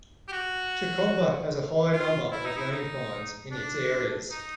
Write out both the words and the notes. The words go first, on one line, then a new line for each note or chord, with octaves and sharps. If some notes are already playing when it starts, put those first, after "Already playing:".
Chikomba has a high number of land mines in its areas.
G4
F#4
F4
E4
D#4
E4
D#4
D4
D#4